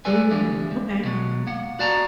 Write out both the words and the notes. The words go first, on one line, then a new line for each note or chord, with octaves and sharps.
Mm. Okay.
A4 B4 D5 G#5
E3 G3 G#3 D4
D#2
B2 F#3 G#3
A#3 F#5
F#4 D5 A5 A#5